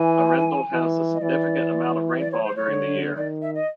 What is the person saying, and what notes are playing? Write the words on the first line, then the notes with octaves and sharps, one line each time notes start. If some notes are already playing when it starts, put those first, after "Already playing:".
Arendal has a significant amount of rainfall during the year.
Already playing: E3 G#5
E3
D#5
E3 D5
D5
C#5
C5
C#5
D3
D#3 D5
E5
D#5